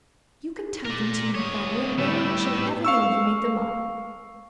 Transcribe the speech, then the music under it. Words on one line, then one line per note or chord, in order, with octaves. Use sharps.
"You can tell them to me, Fanny, and no one shall ever know you made them up."
A#4 D5
D2 C#5 D#6
A2 G3 B3 E6
F5 C#6 E6